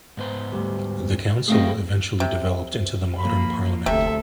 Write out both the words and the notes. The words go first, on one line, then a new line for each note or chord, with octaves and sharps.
The Council eventually developed into the modern Parliament.
G#2 B3 C5
D2 G3
A3 C4 G#4 D#5 F5 G5
C3
F3 A#3 B5
F1 D2 C3 A4 E5